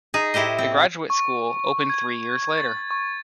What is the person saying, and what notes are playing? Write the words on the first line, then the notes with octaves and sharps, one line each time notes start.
The graduate school opened three years later.
D#4 G#4
A2 E4 G4 C5 D#5
C4
C#6
G#6
A6
C#6